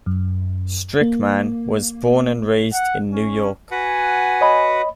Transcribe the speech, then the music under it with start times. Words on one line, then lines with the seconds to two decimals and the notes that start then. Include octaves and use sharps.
Strickman was born and raised in New York.
0.06 F#2
1.01 A#3
2.73 F#5
3.12 C#4
3.71 F#4 B4 F#5 G#5
4.41 C#5 D#5 B5